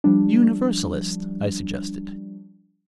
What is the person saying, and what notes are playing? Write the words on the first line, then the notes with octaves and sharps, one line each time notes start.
"Universalist?" I suggested.
F3 G3 D4